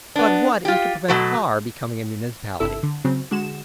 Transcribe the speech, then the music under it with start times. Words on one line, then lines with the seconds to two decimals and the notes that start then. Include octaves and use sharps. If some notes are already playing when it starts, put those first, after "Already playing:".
"But what is to prevent our becoming a municipality?"
0.16 B3 D4
0.65 F4 G4
1.08 B2 F#3 A3
2.60 G1 C3 E4 A4 E6
2.83 D3
3.05 C#3 F#3 C4
3.31 D3 G#3 F#4 E7